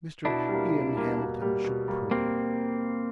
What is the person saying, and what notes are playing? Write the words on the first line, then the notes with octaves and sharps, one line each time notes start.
Mr. Ian Hamilton should prune.
B2 D4 E4
G3
A#3
B2
G3 A#3
B2
G3 A#3
B2
G3 A#3
A#3 C4